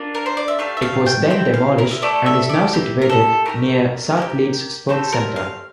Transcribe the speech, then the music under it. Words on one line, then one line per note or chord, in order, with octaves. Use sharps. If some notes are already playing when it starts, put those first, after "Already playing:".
It was then demolished and is now situated near South Leeds Sports centre.
Already playing: A#3 D4 F4
A#4
C5
D5
E5
A3 D4 G4 F5
E5
F5
G5
C4 E4 G4 G5
F5
A#4
E5
A3 E4 A4 D5
E5
D5
A#3 E4 G4 E5
A#4
A4
A3 E4 G4 A#4
A#3 D4 G4
A3 C4 G4 A4
A#4
F5